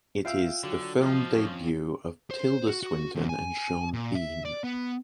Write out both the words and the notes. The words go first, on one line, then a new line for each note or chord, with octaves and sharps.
It is the film debut of Tilda Swinton and Sean Bean.
F4 E5 F5 G5 E6
D3 F#3
F3 F4 D#5
F2 C#4
C5
F#4
F#4
E2
G#5
A#2
E5
D5
B3